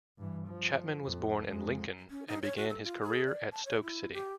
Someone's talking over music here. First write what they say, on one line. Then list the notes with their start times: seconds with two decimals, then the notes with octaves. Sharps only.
Chapman was born in Lincoln and began his career at Stoke City.
0.18 G2 E3
0.47 F3
1.04 F2
1.47 F2 G#3
2.10 C#4
2.28 D#4
2.43 C#5
2.57 F#4
2.69 A4
2.83 F4
3.02 G#4
3.26 D5
3.51 A5
3.65 C#5
3.82 E4
4.13 G4